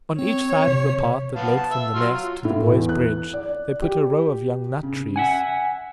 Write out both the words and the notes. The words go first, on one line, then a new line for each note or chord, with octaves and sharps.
On each side of the path that led from The Nest to the Boy's Bridge they put a row of young nut trees.
C4 C#5
C3
B3 F5 A5
A5
E5
F#3 C6 F6
F4
A2
E2
F#6
D5
G4
C#3
E5 F#5 G#5